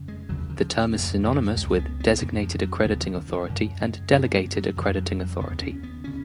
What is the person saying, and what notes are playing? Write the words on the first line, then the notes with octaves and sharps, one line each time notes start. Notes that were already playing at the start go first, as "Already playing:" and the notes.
This term is synonymous with "Designated Accrediting Authority" and "Delegated Accrediting Authority".
Already playing: F2 C#3
G#3
D#2 C#3 F#3
F3
D#3
F3
F2 C#3 A#3
F#3
C#2 C#3 G#3
B3
B3
F2 C#3 A#3
F3
F#3
D#2 C#3 B3
F3
D#3
D#3
F3
F#2 C#3
G#3
F#2 C#3 B3
A#3
F#3
F2 C#3 F3
F#3
F#3
D#2 C#3 B3
C#4
B3
C#3 C#4